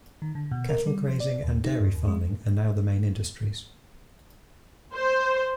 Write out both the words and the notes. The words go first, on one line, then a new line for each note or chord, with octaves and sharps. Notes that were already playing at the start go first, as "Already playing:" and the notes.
Cattle grazing and dairy farming are now the main industries.
D#3
D3
B2
A#4
G3
F3
D5
D#2
D#4
G2
D#2
G#3
C5